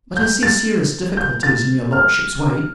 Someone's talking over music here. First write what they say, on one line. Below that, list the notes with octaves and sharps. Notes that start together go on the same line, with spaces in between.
But I see serious difficulties in your lordship's way.
G6
A6
G6
A6
F6